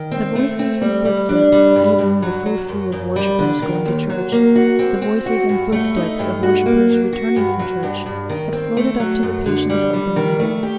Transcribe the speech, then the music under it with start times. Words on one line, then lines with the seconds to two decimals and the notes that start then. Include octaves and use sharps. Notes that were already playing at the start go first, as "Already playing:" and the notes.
The voices and footsteps, even the frou-frou of worshippers going to church, the voices and footsteps of worshippers returning from church, had floated up to the patient's open window.
Already playing: D#3
0.11 C4
0.35 A3
0.59 C4
0.81 G3
1.05 G3
1.29 D4
1.52 G3
1.75 G2
1.98 G2
2.22 F#3
2.46 F#3
2.68 F#2
2.92 F#2
3.16 G3
3.39 D3
3.62 D#3
3.85 D#2
4.09 F#3
4.32 A#3
4.56 F#4
4.79 C4
5.02 C4
5.26 F#4
5.49 G2
5.72 A3
5.96 D#4
6.19 G2
6.43 F#4
6.66 A#3
6.89 F#3
7.13 F#4
7.36 G2
7.59 F#3
7.83 G2
8.06 G2
8.29 D#3
8.53 C4
8.77 A3
9.00 F#3
9.23 F#2
9.46 D3
9.70 G3
9.93 G3
10.16 D#3
10.40 A3
10.63 G4